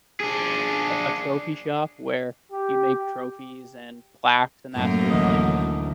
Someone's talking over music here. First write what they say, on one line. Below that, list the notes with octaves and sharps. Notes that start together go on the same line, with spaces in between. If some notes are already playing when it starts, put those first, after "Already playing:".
a trophy shop where you make trophies and plaques and that sort of thing,
D4 G#4
G4
F#2 A2 A#3
D2 E3 D#5